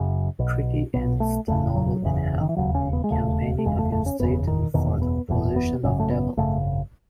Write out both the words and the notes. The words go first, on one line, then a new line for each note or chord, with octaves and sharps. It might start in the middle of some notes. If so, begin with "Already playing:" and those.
Tricky ends the novel in Hell, campaigning against Satan for the position of Devil.
Already playing: F#1 F#2 C#3
B1 B2
B1 B2 B3
A3
F#1 E2 C#3 A3
F#3
F#1 E2 C#3
D#3
E3
E1 D#2 C#3 F#3
C#4
B3
G#3
E1 D#2 C#3 A3
A3
F#1 E2 C#3 G#3
A3
A3
C#4
F#1 E2 C#3 B3
D#3
F#1 E2 B2 D#3
B3
F#1 E2 B2
B3
G#1 F#2 C#3 C#4
A3
B3
G#1 F#2 C#3 A3